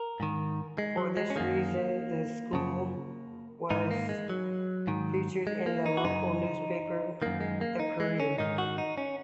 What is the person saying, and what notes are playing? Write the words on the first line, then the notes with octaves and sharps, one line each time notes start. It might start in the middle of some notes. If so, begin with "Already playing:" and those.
For this reason, the school was featured in the local newspaper "The Courier".
Already playing: A#4
G#2 D#3
G#3
F#3
G#3
C#4
F#2 D#3 A#3
F#2 C#3
G#2 D#3 D#4
A#3
G#3
F#3
G#2 D#3
G#3
A#3
D#4
F#4
F#2 C#3 D#4
F#2 D#3 A#3
G#3
A#3
D#4
G#3
C#4
G#2 D#3 D#4
F#4
D#4
C#4